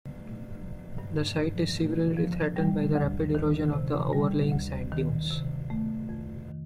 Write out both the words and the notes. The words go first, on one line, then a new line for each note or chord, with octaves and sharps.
The site is severely threatened by the rapid erosion of the overlying sand dunes.
A3
F3
G2
G2
A3
F3
G3
D2
D#3
C3
G3
D2
D#3
C3
A3
F2
D#3